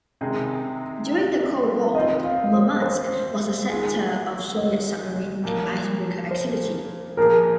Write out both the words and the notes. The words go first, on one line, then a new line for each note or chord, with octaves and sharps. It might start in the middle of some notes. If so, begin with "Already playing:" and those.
During the Cold War Murmansk was a center of Soviet submarine and icebreaker activity.
C3 D#3 G#3 D#4 G#4
D#3 C4 F4 D#5
F5
C5
C5
D#3 G#3 F4 G#4
D#5
A#2 F3 A#3
C5
A#2 F3 A#3 G#4 A#4